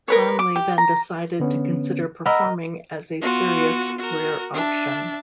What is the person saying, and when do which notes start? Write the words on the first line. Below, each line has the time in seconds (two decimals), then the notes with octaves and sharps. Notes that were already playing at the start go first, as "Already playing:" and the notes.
Conley then decided to consider performing as a serious career option.
0.08 A#4 B4 C#5
0.39 D6
0.56 G4
0.78 A#5
1.40 D3 B3 C#4
2.26 A#4 D#5 F#5 B5 E6
3.20 B3 F4 F#4
3.97 F#4 A#4
4.52 D4 E5 A5